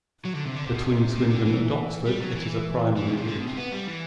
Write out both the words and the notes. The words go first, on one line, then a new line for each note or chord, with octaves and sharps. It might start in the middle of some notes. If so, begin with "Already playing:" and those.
Between Swindon and Oxford it is a primary route.
F#3
D3
C3
D3
C3
B2
C3
C3
D3
E3
G3
F#3
E3
E3
B2
C3
D3
B2
C3
B3
G3
E3